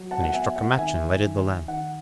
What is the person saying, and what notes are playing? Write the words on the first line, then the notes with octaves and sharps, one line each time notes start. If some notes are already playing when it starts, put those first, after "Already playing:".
Then he struck a match and lighted the lamp.
Already playing: F#3
F#5 A5
F#5
B3 E5 G#5
F#5
D#3 E5 G#5
D#3
D#3 F#5